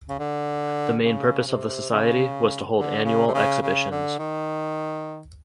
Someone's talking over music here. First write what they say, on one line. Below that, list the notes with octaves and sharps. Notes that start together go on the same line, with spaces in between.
The main purpose of the society was to hold annual exhibitions.
C#3
D3
C#3
C3
C#3
D3
C#3
C3
C#3
C#3
D3
D#3